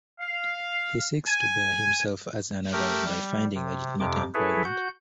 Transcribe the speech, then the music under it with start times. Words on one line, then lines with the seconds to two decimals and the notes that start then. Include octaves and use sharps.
He seeks to better himself as an adult by finding legitimate employment.
0.20 F5
1.27 G#5
2.73 A3 G4 A#4
3.06 G3
3.55 C3
4.00 F2 C3 D6
4.34 E4 G#4 A4 B4 C#5 E5
4.65 F#4 F#5 G6